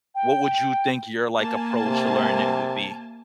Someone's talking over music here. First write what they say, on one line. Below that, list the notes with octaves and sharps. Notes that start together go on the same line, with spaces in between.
What would you think your, like, approach to learning it would be?
G5
A#3 G#5 A5
C3